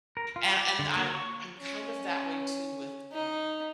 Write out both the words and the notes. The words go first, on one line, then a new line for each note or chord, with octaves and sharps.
and and I'm I'm kind of that way too with, uh,
A#4
F4
D5
D3
A#3
C#6
C#4
D#4